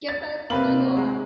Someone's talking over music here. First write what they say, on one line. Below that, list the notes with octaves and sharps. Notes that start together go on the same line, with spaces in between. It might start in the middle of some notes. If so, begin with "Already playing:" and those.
get that snuggle on.
A6
C3 A#3 C4 B4 B5 F#7
G#3